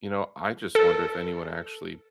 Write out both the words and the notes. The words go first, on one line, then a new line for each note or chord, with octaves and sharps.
You know, I just wonder if anyone actually
A4